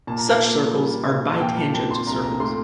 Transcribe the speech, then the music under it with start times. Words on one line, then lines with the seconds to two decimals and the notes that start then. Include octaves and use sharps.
Such circles are "bi-tangent" circles.
0.07 A#2 A5
0.18 A#5
0.28 A5
0.41 A#3
0.74 G3
1.07 A#2
1.32 A5
1.41 A#2 G5
1.57 A5
1.74 C4 A5
1.91 C6
2.07 C2 A#5
2.24 A#5
2.40 A3 C6